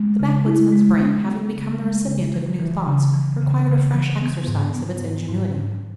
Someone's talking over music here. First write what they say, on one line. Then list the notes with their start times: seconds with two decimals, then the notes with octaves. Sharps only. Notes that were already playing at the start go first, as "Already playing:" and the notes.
The backwoodsman's brain having become the recipient of new thoughts, required a fresh exercise of its ingenuity.
Already playing: G#3
0.19 C#3
0.46 E4
0.72 G#3
1.00 B3
1.26 B3
1.54 C#3
1.80 G#3
2.06 C#3
2.34 E3
2.60 E3
2.87 C#3
3.14 E3
3.41 C#3
3.68 C#3
3.94 E3
4.21 B3
4.47 G#2
4.75 B3
5.01 G#2
5.28 G#2
5.56 G#2